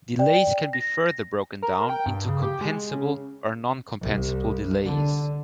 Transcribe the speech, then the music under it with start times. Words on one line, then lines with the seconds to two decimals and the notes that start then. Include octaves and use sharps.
Delays can be further broken down into compensable or non-compensable delays.
0.19 D5 G5
0.73 A#6
1.62 A#4
1.89 G5
2.06 G2
2.28 C#3
2.43 G4
2.61 G#3
2.91 C#3
4.00 C2
4.83 D3